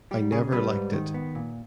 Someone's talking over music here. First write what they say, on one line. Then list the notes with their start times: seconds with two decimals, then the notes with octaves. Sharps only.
I never liked it.
0.11 G3 G4
0.32 C#3 G#4
0.52 G3 B4
0.73 G#2
0.93 D#3
1.14 B3
1.35 A#2